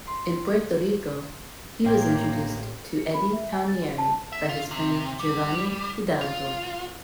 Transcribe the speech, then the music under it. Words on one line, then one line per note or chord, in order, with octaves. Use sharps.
In Puerto Rico, he was introduced to Eddie Palmieri by his friend Giovanni Hidalgo.
C6
A1 A#3 G5 G#6
C#7
B5
E5
G#5
A6
F#4
A5
E5
F4
C3
G3
F4